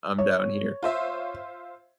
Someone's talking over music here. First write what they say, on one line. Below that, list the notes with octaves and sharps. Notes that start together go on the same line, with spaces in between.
I'm down here.
C#5
F4 C5 E5